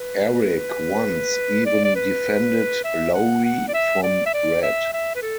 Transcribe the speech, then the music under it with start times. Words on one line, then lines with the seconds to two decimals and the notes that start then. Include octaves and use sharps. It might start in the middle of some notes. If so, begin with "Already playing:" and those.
Eric once even defended Laurie from Red.
Already playing: B4
1.66 D5
1.85 D5
1.96 B4
2.85 E5
3.14 F#5
3.44 F#5
3.68 D5
3.74 E5
4.03 D5
4.26 E5
4.34 D5
4.63 E5
4.94 E5
5.16 B4
5.23 A4